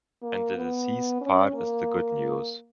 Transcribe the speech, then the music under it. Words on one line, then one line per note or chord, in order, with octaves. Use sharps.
And the deceased part is the good news.
A#3
B3
C#4
A#3